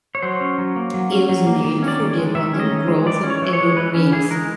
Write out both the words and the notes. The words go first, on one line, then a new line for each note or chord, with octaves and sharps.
It was named for the abundant growth of evergreens.
C#5
F#3 C5
C#4
F#3
A#3
F#3
C#4
F#3
A#3
D#3
C#4
D5
D#3
G#3
D#3 E5
C#4
D#5
D#3
G#3
E3 D5
C#4
C#5
E3
C#5
G#3
E3 B4
C#4
E3 G#4
G#3 A#4